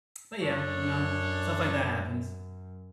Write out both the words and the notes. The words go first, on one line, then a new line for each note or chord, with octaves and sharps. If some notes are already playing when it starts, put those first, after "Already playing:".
But, yeah, you know, stuff like that happens.
F#2 D4 A4 C#5